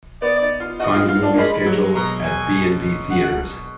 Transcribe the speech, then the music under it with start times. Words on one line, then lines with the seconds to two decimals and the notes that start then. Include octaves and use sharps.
Find the movie schedule at B&B Theatres.
0.22 B3 D5
0.41 D#4
0.60 F4
0.79 F#4 D#5
0.94 F4
1.08 F4 F5
1.23 D4
1.34 A#3
1.38 G#3 B5
1.66 F#3
1.96 B2 A#5
2.24 G#5
3.11 F#5